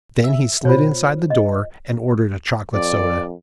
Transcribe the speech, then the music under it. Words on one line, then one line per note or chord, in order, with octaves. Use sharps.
Then he slid inside the door, and ordered a chocolate soda.
E5
B2 F4 C5 C#5
D#5
F2 D5